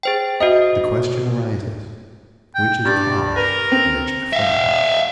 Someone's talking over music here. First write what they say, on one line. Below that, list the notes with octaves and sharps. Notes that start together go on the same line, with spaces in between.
The question arises: which is cause, which effect?
G#4 C5 G5
F#4 C5 D#5 E5
G5
G2 D5
A#4 B4
C4
E5 F5